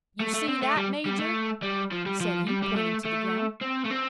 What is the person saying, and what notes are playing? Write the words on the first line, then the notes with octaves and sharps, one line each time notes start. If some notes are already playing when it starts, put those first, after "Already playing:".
"You see that, major?" said he, pointing to the ground.
A3
A3
C4
A3
G3
G3
A3
G3
F3
G3
F3
G3
G3
A3
A3
C4
A3
C4